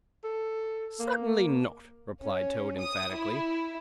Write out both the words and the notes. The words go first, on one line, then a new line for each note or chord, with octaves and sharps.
'Certainly not!' replied Toad emphatically.
A4
A#3
C#4
D#6
E4